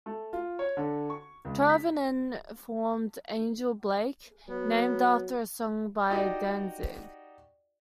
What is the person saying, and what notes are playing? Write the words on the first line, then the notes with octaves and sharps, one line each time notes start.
Tervonen formed Angel Blake, named after a song by Danzig.
A3
F4
C#5
D3
C#6
C#2
B6
F#3 B3
D#4 F#4 G4 D5 D#5